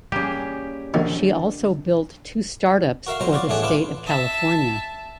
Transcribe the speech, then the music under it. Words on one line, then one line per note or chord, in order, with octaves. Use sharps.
She also built two startups for the state of California.
G3 A#3 C#4 G4 G#4
A#1 D3 D#3
F#4 A#4 E5 F5
F2 B2 F#3 C5 A#5
F4 F#4 D5
E2 A2 A3 D4 G#4 F#5
D4 E4 F4 B4 D6
E5 A5